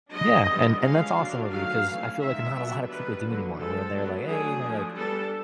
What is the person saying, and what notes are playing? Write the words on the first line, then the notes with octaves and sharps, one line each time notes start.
Yeah, and and that's awesome of you, 'cause I feel like, uh, not a lotta people do anymore, where they're like, "Hey," you know, like,
F#3 B3 D4 D#5
D3 G3 B3 D4
F3 G#3 C#4 F5
D3 F#3 A#3 D4
D#3 F#3 A3 F5
E3 A3 C#4
D#3 G#3 C4 E5
F#3 B3 D4
D#3 G3 B3 D4 B4
D3 F#3 A#3
F3 G#3 C4 A4
F#3 B3 D4
D3 F#3 A3 D4 G#4
F3 A3 D4
G3 B3 D4 A4